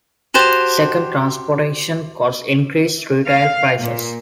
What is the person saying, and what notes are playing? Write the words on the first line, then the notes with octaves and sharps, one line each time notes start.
Second, transportation costs increase retail prices.
F#4 G4 C5 A5
F5
A#2